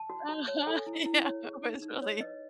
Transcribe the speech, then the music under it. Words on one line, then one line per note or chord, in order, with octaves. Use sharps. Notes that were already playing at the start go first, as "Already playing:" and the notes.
Uh-huh, yeah, it was really
Already playing: A5
F#4
F#4
C#5
A4 G#5
E4
E4
C#5
G#4
D#4
D#4
C#5
B4 D#5